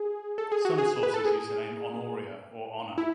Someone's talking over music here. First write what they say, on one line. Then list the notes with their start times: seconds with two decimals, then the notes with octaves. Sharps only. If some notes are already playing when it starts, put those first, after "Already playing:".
Some sources use the name "Honoria" or "Honor".
Already playing: G#4
0.38 A4
0.52 G#4
0.65 F#4
0.78 G#4
1.03 B4
1.14 A4
1.25 G#4
2.98 E4